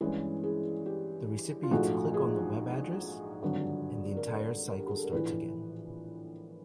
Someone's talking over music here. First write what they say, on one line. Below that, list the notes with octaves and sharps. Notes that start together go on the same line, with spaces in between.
The recipients click on the web address, and the entire cycle starts again.
G2 E3 G#3 C#4 E4 G#4
G#4
G4
F4
A#1 G#2 F3 A3 F#4
G#4
G#1 G2 D3 F#3
A#4
A4
A#4
G4
G#4
A4
A#4
A#1 A2 E3 B4